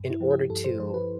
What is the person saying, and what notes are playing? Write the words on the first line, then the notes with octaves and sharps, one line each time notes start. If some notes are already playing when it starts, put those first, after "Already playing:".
in order to
Already playing: G2
E4
F3
G4
G2 A4
C5
F3 C5
B4